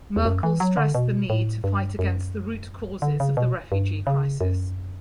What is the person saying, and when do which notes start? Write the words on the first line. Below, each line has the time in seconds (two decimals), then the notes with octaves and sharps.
Merkel stressed the need to fight against the root causes of the refugee crisis.
0.16 E2
0.25 F#2
0.43 E3
0.60 F#3
0.77 D3
0.95 B2
1.30 A2
1.64 G2
1.99 F#2
3.02 D3
3.20 C#3
3.37 B2
3.72 G2
4.07 C#3
4.41 F#2